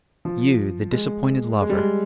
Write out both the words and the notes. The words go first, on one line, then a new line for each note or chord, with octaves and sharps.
'You, the disappointed lover?
F3
G#3
G#3
G3
G#3